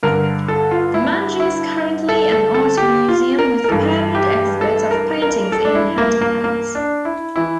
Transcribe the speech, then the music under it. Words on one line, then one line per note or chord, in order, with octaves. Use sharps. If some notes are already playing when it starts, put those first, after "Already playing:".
The mansion is currently an art museum with permanent exhibits of paintings and handicrafts.
G2 D3 A#4
A4
F4
E4
E4
A4
A4
A4
G4
F4
A#4
A#4
G2 E3 A4
G4
A4
A#4
A#4
A4
D4
E4
A#3
A#3
A#3
D4
E4
E3 E4